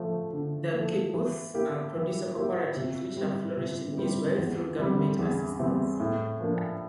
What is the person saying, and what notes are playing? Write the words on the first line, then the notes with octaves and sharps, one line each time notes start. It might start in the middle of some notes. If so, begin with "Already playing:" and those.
The kibbutz are producer cooperatives which have flourished in Israel through government assistance.
Already playing: F3 A3
D3
F3 A3
E3
A#3 E4 G4
E3
A#3 E4 G4
C3
G3 C4 G4
C3
G3 C4 G4
E2
C3 E3 G3 C4
E2
C3 E3 G3 C4
A2
F3 A#3 D4